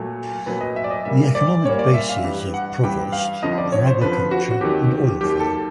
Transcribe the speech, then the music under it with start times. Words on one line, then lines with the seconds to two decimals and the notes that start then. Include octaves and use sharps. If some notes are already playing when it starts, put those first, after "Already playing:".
The economic bases of Provost are agriculture and oilfield.
Already playing: A#2 F#3 A3
0.46 A#2 F#3 A3 B4
0.61 D#5
0.76 E5
0.84 D5
0.90 D#5
1.05 A#2 G3 A#3 E5
1.35 D5
1.65 A#2 G3 A#3 C#5
1.79 D5
1.94 E5
2.09 F5
2.24 G2 E3 G3
2.54 F#5
2.83 G2 E3 G3 G5
3.12 F5
3.42 F2 D3 F3 D#5
3.58 D5
3.72 C#5
3.87 C5
4.01 F2 D3 F3 B4
4.31 F#4
4.51 F#4
4.61 D#2 D#3 F#3 G4
5.20 D#2 D#3 F#3 G4
5.40 A4